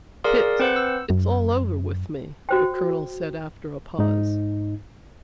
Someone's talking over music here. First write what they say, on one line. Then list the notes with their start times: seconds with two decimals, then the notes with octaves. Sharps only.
"Pitt, it's all over with me," the Colonel said after a pause.
0.24 G#4 A#4 D5 F5 C6 D#6
0.59 C4 B4 C5 F#5
0.76 E6
1.10 F#2
2.49 F#4 C5 G5
3.99 G#2 D#4